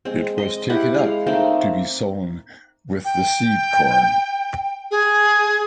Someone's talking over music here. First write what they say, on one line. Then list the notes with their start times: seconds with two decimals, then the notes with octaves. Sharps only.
It was taken up to be sown with the seed-corn.
0.05 G#3 C4
0.38 D#5
0.70 E4 G4 F#5
0.94 G#3 F5
1.27 A3 A#3 C4 D#4
3.05 G5
4.91 G#4